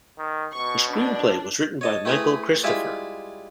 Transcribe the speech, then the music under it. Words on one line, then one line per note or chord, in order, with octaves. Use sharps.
The screenplay was written by Michael Cristofer.
D#3
B2 C#6
D4
C#5 D#5 A5
A3 C4 E4 G#4 B4 D#6
G3 G#3 E4 F4 E5